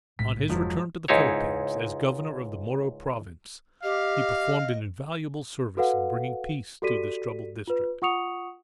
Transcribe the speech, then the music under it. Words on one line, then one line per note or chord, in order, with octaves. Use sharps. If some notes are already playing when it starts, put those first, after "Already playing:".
On his return to the Philippines, as Governor of the Moro Province, he performed an invaluable service in bringing peace to this troubled district.
B1 A2 G#3 B6
F1 G#2 F3 F#3
C#2 G#2 D#4 E4 C#5
G4 D#5 F5
F#4 A4 B4 F5 F#5
F#4 G4 A4 D5 B6 D#7
F4 B4
F4 F#5 C#6 D#6 C#7 F7